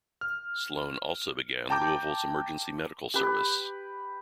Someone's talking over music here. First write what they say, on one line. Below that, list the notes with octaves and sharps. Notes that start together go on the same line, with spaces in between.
Sloane also began Louisville's Emergency Medical Service.
F6
G5 A5 A#5 D6 G6
G4 B4